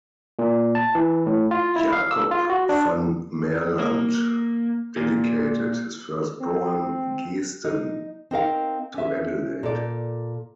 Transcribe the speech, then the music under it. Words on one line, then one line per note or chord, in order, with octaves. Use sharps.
Jacob van Maerlant dedicated his first poem, "Geesten", to Adelaide.
A#2
A5
E3
A2
F4
E4
F5
E6
F4
F#4
D4
A#3
A#2
C4
D#4
C4 D#4 A#4 F5
C#4 E5
A#2 A4 D5